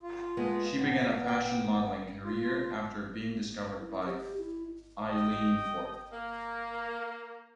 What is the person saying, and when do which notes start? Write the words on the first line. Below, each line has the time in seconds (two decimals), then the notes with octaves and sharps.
She began a fashion modeling career after being discovered by Eileen Ford.
0.03 F4
0.37 G#3 A3 B3
0.78 A2 B3
1.28 G5
2.24 F4
3.80 E4
4.06 G4
4.38 E4
5.07 G4 D#5 G5
6.12 A#3